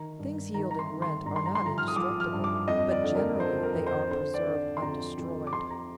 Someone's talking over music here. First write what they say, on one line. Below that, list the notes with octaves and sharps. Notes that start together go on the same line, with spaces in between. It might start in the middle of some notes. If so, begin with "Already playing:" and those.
Things yielding rent are not indestructible, but generally they are preserved undestroyed.
Already playing: D#3 A#5
G2
D#3 A#5
A#5
C6
D#3
C6
G2 A#5
C6
A#5
C6
F3 A#5
F6
D#6
F3 D6
F6
G2
D6
F2 D#5
D5
D3
A#4
F3 C5
A#4
F2
C5
D3 C5
D5
D3
C6
F2 A#5
F2
D6
F2 C6
A#5